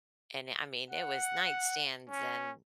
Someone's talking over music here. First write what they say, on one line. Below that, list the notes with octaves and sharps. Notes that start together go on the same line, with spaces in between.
and, eh, I mean it was nightstands and
F#5
C#4